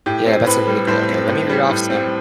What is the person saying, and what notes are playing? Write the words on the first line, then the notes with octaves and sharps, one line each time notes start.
Yeah. That's a really great okay, let me read off some
A2 G4
C4
A2 B4
G3
A2 C5
C4
A2
G3
A2
C4